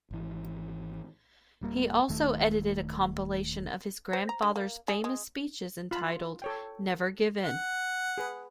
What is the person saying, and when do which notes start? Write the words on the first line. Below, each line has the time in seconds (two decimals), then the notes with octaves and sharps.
He also edited a compilation of his grandfather's famous speeches entitled "Never Give In".
0.11 G#1 E3
1.61 D#1 G3 A#3
2.09 D#1 D#3 A3
4.13 C5
4.29 A#5
4.42 D3
4.56 A#3
4.88 G#4
5.04 G#3
5.91 F4 B5
6.42 A4 C#5 G5
7.46 F#5
8.18 G#4 B4